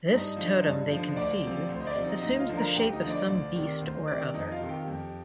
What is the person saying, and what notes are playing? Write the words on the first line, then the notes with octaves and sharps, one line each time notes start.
This totem they conceive assumes the shape of some beast or other.
G2 D#4 D#5
D3 F3
G2
D3 F3
D2 D5
C3 F3
D2 C5
D#5
D5
C3 F3
D#4 D#5
D2 D#4 D#5
F4 F5
D3 F3
A#4 A#5
D2 G4 G5
D#4 D#5
D3 F3
D5
D2
C3 D#3
D2 C5
C3 D#3 D5
F2 D#4 D#5
F4 F5
C3 D#3
G4 G5
F2